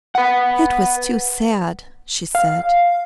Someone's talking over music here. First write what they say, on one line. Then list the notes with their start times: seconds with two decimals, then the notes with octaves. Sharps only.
"It was too sad," she said.
0.15 B4 F#5
2.35 F5